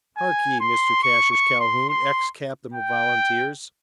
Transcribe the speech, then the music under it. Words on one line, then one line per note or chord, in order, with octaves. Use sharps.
Hark ye, Mr Cassius Calhoun, ex-captain of volunteers!
G#5
C6
C#6
C#6
C6
C6
G5